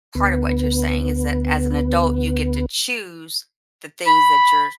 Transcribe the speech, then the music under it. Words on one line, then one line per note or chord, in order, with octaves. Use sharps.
part of what you're saying is that as an adult, you get to choose the things that you're j
D2 B3
B5